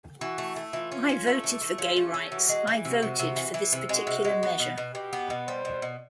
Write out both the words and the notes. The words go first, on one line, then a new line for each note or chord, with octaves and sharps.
I voted for gay rights, I voted for this particular measure.
E3 F#4
A3
A3
E3 F4
C#4
C#4
A3
E3
A3
C#4 F4
A3
C#4
E3 F#4
G#3
E3
C3 F#4
C3
C3
E3
E3
C3
G#3 F#4
C3
G#3
B3
B2
B2
B2 G4
B3
B2
G3 C5
B2
B2